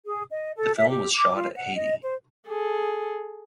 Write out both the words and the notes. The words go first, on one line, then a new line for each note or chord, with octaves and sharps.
The film was shot at Haiti.
G#4
D#5
A4
E5
G4
D6
F4
F#5
D#5
C5
G#4 A4